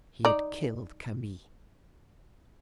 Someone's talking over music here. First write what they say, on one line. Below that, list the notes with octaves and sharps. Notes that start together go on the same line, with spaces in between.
He had killed Camille.
D#4 D5